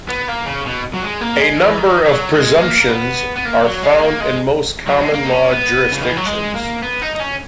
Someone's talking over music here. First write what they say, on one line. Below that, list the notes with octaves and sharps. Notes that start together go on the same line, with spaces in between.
A number of presumptions are found in most common law jurisdictions.
B3
A#3
C#3
B2
F#3
G#3
A#3
G#3
E3
D#3
F#3
G#3
G#3
A#3
A#3
B3
B3
A#3
F#3
G#3
A#3
G#3
F#3
G#3
A#3
D#4
C#4
B3
C#3
D#3
E3
F#3
G#3
A#3
B3
D#4
D#4
C#4